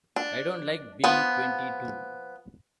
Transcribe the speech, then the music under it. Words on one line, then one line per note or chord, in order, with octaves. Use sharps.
I don't like being twenty-two.
D4
F3 B3